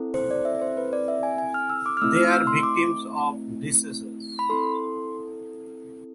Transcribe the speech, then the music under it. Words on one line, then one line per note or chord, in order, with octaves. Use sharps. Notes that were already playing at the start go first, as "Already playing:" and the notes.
They are victims of disease.
Already playing: C4 E4 A4
C5
D5
E5
C5
B4
D5
E5
G#5
G#5
F6
E6
D6
F6
A3 C4 E4 E6
F6
E6
C6
D6
B5
C4 E4 A4 C6